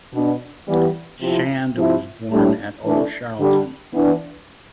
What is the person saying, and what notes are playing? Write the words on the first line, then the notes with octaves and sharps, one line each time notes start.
Shand was born at Old Charlton.
B2 B3 D4
E3 G3 B3
C3 F3 C4 E4
C3 F3 C4 E4
A2 G3 D4
E3 A3 D4
D3 G3 D4
E3 B3 D4